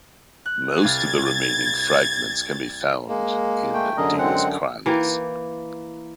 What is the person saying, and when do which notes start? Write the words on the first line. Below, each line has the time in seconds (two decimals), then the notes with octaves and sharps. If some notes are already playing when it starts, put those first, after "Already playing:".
Most of the remaining fragments can be found in Diels-Kranz.
0.46 F#6
0.83 C2 F5 G#6 A6
3.08 G#3 A#3
3.74 A3 G5
3.97 F#2 D3 G#4 A#4 D#5
4.18 G#3 C4 F#5
4.86 E3 A#3 G4